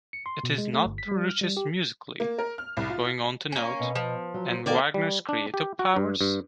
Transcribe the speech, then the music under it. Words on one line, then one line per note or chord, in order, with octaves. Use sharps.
It is not the richest musically," going on to note "And Wagner's creative powers?
C#7
C6
B2
G#3
A3
G1
B6
G3
F6
G3
G4
A#3
A#4
F6
C2
F4
A#3 C#4
B2
F3
F#3
D#3 A#3 B3 A4 A#4 D5
G3
D4
G4
F#4
G2
G2